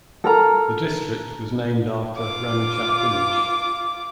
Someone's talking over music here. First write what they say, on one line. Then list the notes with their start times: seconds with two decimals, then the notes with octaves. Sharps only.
The district was named after Ramechhap village.
0.24 A4 A#4 A#5
2.16 F4 D6